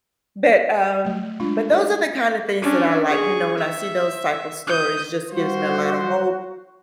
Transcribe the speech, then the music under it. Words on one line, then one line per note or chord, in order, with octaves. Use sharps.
But, um but those are the kind of things that I like, you know when I see those type of stories, just gives me a lot of hope,
F#3 A3
G#3 D4 F4
D#4 A4 C#5
C#4 D4
G#4 C#6
E5
D#6 G6
G3 F4 F#4 C5